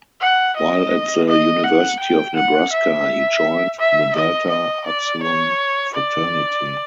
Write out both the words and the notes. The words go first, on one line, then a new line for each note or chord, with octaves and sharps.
While at the University of Nebraska he joined The Delta Upsilon Fraternity.
F#5
D#5
D#5
F#5
G5
F#5
E5
E5
D#5
D#5
D5
C#5
D5